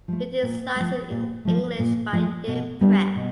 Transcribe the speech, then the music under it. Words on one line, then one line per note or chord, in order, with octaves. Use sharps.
It is licensed in English by Yen Press.
F3 A3
A#2
F3 A3
A#2
F3 A3
A#2
F3 A3
B2
G3 B3 D4
B2